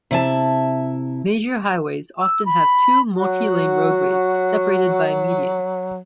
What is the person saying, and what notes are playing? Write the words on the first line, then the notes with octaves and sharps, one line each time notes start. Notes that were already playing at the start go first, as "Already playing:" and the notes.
Major highways often have two multi-lane roadways separated by a median.
C3 E4 A5
E6
B5
F#3 F#4